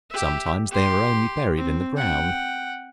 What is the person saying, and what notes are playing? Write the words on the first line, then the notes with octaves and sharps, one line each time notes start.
Sometimes they are only buried in the ground.
G4 E5
G4 C6
C4
F#5 G5